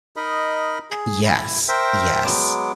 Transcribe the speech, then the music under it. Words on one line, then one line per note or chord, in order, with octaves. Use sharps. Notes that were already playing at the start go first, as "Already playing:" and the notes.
Yes, yes.
D#4 A#4 D#5 B5
G#4
E4
A#4 C5 E5 G5
F#3 G#3 B3 D6